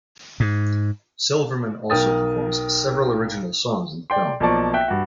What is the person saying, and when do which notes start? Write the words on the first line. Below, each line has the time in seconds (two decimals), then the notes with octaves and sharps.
Silverman also performs several original songs in the film.
0.40 G#2
1.90 B1 A#4 G5 D#6 A6
4.10 D5 G5 C6
4.40 B1 F3 A#3 D5 A5 C#6
4.73 E5 G5 F#6
4.88 G2 F#4